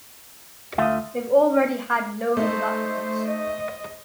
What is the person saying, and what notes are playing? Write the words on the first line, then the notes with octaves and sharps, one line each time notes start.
They've already had loads of applicants.
D2 A3 F4 E5 F5 D#6
A3 D#4 C5
D#5